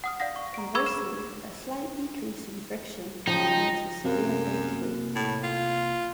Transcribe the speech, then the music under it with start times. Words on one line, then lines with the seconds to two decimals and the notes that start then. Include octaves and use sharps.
Conversely, a slight decrease in friction can lead to severe brake fade.
0.04 F#5 D#6 F6
0.20 D5 F5 F#5 A#6
0.36 C#6
0.54 A#5 D7
0.75 G#4 B5 C#6 D6 E6 G#6
0.86 F6 C7 E7
3.27 C#3 F3 D#4 G5
4.05 F#2 C3 A#3
5.15 A2
5.43 F4